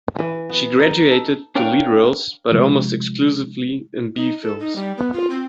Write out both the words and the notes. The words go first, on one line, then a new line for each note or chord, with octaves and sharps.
She graduated to lead roles, but almost exclusively in "B" films.
E3
B3
D#4
A4
C#4 D4 A#4 C#5 F5 G5
C3 F3 G#3
D#4
A4
D#4
G3
B3
F4
C4